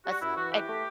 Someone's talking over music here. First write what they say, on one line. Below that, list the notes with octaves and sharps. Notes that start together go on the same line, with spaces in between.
that's eh
G3 F#4
F#2 E4
E3 F#4
E3 G4
A3